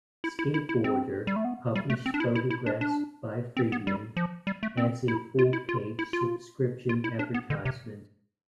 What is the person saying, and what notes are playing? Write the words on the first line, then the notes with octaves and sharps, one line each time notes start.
"SkateBoarder" published photographs by Friedman as a full-page subscription advertisement.
E4
E4
E4
E4
C4
G3
A3
B3
G3
A3
C4
D4
E4
E4
E4
D4
D4
C4
B3
G3
F3
G3
A3
C4
E4
F4
E4
F4
E4
F4
F4
E4
D4
B3
D3
C3